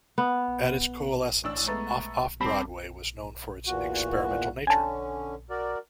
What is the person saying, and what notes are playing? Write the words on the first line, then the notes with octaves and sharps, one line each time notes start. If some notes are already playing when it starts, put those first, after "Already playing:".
At its coalescence, Off-Off-Broadway was known for its experimental nature.
B3
A1 D4 C#6 E6
G#3 A3 B3 A#5 C#6 A6
G3 C4 A5 B5 D6
E2 A#2 F#4
D3 C#4 G#5 A5
F#4 A#4 D5